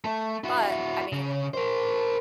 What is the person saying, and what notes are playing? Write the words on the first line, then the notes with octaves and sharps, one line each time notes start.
But, I mean, I
A3
E4 F#4
C#3
A#4 C5